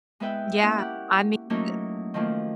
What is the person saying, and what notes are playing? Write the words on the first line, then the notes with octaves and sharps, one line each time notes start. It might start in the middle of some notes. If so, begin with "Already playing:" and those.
Yeah, I mean uh
G#3 B3 E4 B4 E5 G5
A#3 C#4 E4
G4 F#5
F#3 A3 A#3 C#4 D#4 E4
D#3 F3 A3 A#3